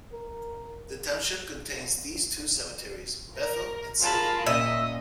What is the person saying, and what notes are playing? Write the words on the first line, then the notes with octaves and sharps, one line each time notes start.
The township contains these two cemeteries: Bethel and Salem.
A#4
A#4
F4 G#4 A#4 A5 B5
A#2 C#4 D#5 E5